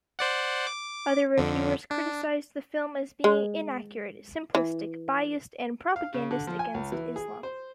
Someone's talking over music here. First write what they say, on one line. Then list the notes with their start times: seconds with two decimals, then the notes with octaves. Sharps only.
Other reviewers criticised the film as being inaccurate, simplistic, biased and propagandist against Islam.
0.19 C5 D5 F#5
0.67 D6
1.37 F2 D3
1.91 D4
3.24 G#3
4.55 E3
5.96 F5
6.14 C#3
6.31 D3
6.47 F3
6.59 G#5
6.74 C#2
6.92 E3
7.16 G#4
7.43 C5